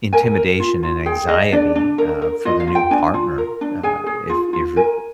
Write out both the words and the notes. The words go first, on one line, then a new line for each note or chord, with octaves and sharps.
intimidation and anxiety, uh, for the new partner, uh, if if you're
A#4 G#5
A#4
F4
F4
G#4 G5
G#4 D#5
D4 D5
D4
A#4
A#4
F4 D#5
F5
F4
G5
D4 G#5
F4
A#4
D4
G#4 G#5
G#4
F4
F4
A#4 G#5